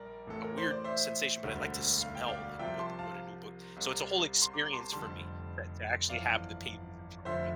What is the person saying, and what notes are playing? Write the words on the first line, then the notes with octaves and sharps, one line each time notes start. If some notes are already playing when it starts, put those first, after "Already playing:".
a weird sensation, but I like to smell, like, what what a new book So, it's a whole experience for me, that to actually have the pages in front of me.
Already playing: A#1 G3 A#4 D5
A1 A2 E3 A4
A#4
C5
D5
C5 E5
E1 D2 D3 G3
F5
G5
D5 F5
C2 C3 F3 E5 G5
A5 C6
F5 A5
C2 C3 G3
C6
A#5 D6
A5 C6
F1 F2 D3 G3 A5 C6
G1 F2 E3 D5 F5
F1 F2 D3 F3 C5 E5